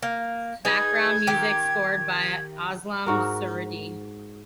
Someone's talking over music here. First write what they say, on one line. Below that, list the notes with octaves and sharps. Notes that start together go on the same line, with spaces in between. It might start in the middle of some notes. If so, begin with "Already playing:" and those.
Background music scored by Aslam Surti.
A#3
D#4 G#4 B4 G#6
D#3 G4
G#2 F#4 A#4